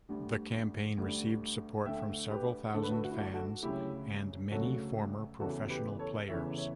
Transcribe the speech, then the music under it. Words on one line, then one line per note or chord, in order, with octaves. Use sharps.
The campaign received support from several thousand fans and many former professional players.
D2 D3 G3
D2 D3 G3
D2 D3 A3 E5 G5
G4 B4
D2 D3 A3 A4
B4
F#4 A4
F#4
E4
D4 F#4
F#4 A4
D2 C#3 F#3 E4 G4
D2 C#3 F#3 F#4 A4
E2 C#3 E3 A3 F#4 A4
G4 B4
A4 C#5
E2 C#3 E3 A3 C#5 E5
C#5 E5